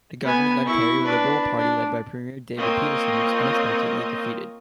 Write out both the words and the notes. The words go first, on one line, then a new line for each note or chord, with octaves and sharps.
The governing Ontario Liberal Party led by Premier David Peterson was unexpectedly defeated.
B3 G#5
E4 C#6
D4 B4
D4
A#3 C4 F4 C#5 D#5